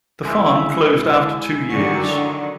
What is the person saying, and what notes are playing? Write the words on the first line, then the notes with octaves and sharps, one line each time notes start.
The farm closed after two years.
G#3 E4
D3 D#3 F#3